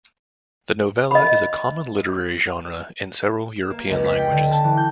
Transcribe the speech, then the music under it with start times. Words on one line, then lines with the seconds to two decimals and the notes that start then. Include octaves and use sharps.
The novella is a common literary genre in several European languages.
1.11 D#5 B5
3.56 E7
3.70 A#3
3.90 C#2
4.04 B6
4.18 G5
4.31 D3
4.51 A5
4.64 E3
4.77 G6